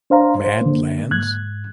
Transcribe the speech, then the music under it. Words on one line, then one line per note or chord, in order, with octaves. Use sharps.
Mad Lands?
D4 C5 F5 A#5
C5
D3 A#3
G#2 F#6 G#6